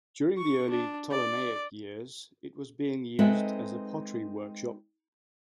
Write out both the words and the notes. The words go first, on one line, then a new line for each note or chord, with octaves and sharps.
During the early Ptolemaic years, it was being used as a pottery workshop.
C#6
D4
D5
G#3 C4 D#4 A4 B4 E5